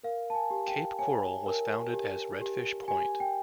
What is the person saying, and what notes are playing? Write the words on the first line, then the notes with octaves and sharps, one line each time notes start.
Cape Coral was founded as Redfish point.
A#4 F5
A5
G#5
G4
G5
C#5 G#5
A#4
G4
G4
G4 G#5
G5